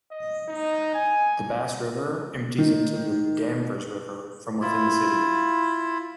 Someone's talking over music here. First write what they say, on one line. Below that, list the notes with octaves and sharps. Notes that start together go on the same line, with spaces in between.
The Bass River empties into the Danvers River from within the city.
D#5
D#4
G#5
D#3
E4 F4